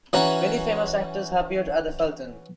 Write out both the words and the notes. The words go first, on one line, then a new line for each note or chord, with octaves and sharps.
Many famous actors have appeared at the Fulton.
E3 C#4 F#4 A#5